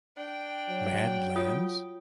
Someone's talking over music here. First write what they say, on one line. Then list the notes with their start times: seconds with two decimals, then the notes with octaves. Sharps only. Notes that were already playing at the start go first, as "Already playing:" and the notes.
Mad Lands?
0.17 D4 G5
0.69 F#3
1.36 F4 C#5 D#6